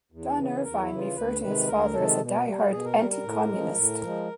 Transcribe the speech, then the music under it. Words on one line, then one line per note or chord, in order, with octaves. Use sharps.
Don Irvine referred to his father as a die-hard anti-communist.
E2
C#3 E3
E2 A#4
E4
C#3 E3
F4
D2 B4
C3 D#3 G#3 B4
D2 A#4
C3 D#3 G#3 A4
B2
G3
B2 G#4
A#4
G3 A#4
A#4
A2
G#3
F3
A2
F3 G#3